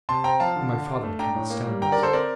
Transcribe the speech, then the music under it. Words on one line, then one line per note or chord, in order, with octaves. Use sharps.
And my father cannot stand this.
C3 A5 C6
C4 G5 A#5
F3 F5 A5
D3
D3
D4
A3
D4 G5 A#5
A2
A#3
G3
D3 G5 A#5
A#4 D5
D3
A4 C5
C4 A#4 D5